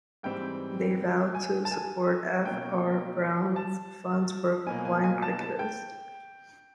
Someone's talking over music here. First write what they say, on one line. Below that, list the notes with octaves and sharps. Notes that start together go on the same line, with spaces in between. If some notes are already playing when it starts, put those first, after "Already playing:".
They vowed to support F R Brown's Fund for Blind Cricketers.
G#2 E3 G3 C4 G5
G#5
A5
G#5
B2 F#3 A#3 C#4 G5
A5
B2 F#3 A#3 G#5
G#5
G#5
A5
A5
G5